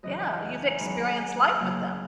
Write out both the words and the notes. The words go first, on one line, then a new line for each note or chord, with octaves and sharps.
Yeah, you've experienced life with them.
F#2 C#3 E3 D#5
E5
F#5
G#5
A#5
G#2 D#3 F#3 B3 B5
A#5
G#5
F#5
C#3 F#3 A#3 C#4